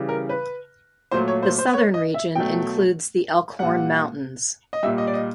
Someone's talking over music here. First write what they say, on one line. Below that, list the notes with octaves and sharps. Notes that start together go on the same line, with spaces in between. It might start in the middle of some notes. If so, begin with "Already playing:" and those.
The southern region includes the Elkhorn Mountains.
Already playing: C#3 E3 G3
A#4
B4
A#2 F#3 A3 C5
C#5
C5
C5
C#5
D#5
E5
B2 F#3 A3 G5
A#2 G3 F#5
D#5
A#2 G3 E5
D#5
D5
D#5